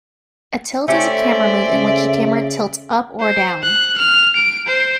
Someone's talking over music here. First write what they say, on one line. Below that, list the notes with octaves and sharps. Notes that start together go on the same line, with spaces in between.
A tilt is a camera move in which the camera tilts up or down.
A3 C#4 G4 C5 D5 E5
C#3
C5
F#6
F6
D7
C5